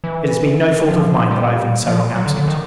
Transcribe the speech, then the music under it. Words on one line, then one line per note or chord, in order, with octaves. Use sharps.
It has been no fault of mine, that I have been so long absent.
E3
F3
G3
F3
F#3
D3
D3
D#3